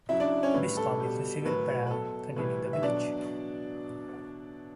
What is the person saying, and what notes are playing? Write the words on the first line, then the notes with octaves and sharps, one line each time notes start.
Bispham is the civil parish containing the village.
C#3 F#3 E4 E5
D4 D5
C#4 C#5
A2 G3 B4
A4
B2 G3
A2 F#3 B4
B4
B2 F#3 A4
A2 E3 G3 B4
E5
B2 F#3 D4 D5